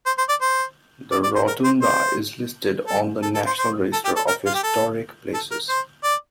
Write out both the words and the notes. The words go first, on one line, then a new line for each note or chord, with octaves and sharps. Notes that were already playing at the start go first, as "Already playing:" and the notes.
The rotunda is listed on the National Register of Historic Places.
C5
C5
D5
C5
D5
D5
C5
A#4
C5
C5
A4
A4
A4
C5
C5
A4
G4
A4
A#4
F4
G4
A4
A4
A#4
C5
D5